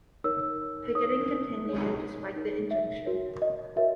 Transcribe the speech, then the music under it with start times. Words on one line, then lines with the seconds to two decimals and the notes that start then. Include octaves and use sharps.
Picketing continued despite the injunction.
0.24 D#4 A#4 C#5 E6
0.95 D#4 A#4 C#5 D#6
1.66 D#4 A#4 C#5
2.36 D#4 A#4 C#5
2.71 E5
3.06 F#4 A#4 C#5
3.42 D#5
3.76 F#4 A#4 C#5 E5